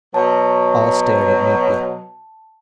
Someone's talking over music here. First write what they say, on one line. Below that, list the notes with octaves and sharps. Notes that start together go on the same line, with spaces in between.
All stared at Mitya.
B2 F#3 A5